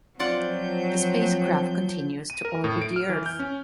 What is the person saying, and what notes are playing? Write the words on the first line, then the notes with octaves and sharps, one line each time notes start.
The spacecraft continues to orbit the Earth.
F3 F#3 C4 F4 D5 F#5 G6
D#7
A#4
A2
D7
F6
E3
G6
C#4